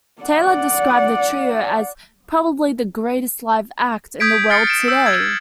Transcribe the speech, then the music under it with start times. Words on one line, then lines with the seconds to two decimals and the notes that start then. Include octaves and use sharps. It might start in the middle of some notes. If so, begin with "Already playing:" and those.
Taylor described the trio as "probably the greatest live act in the world today".
0.22 D5 F#5
4.20 D#6 G6 G#6 B6 D7
4.50 F6 A6 C7 C#7
4.67 D7 E7
4.88 E6 G6 B6
5.06 E6 G#6